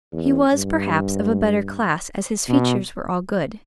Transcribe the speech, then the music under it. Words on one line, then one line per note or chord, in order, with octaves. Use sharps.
He was, perhaps, of a better class, as his features were all good.
E2
G2
B2